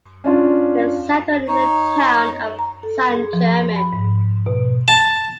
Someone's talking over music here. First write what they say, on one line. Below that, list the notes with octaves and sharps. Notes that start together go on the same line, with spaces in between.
They settled in the town of San German.
C#4 D4 F4
D#4 C#5
A#5
A4
G#4
F3
B5
G#2
B2
A5